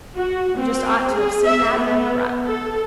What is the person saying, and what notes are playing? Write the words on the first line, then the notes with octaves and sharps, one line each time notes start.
You just ought to have seen that boy run!
F#4
C4
G#4
E5
B3
A4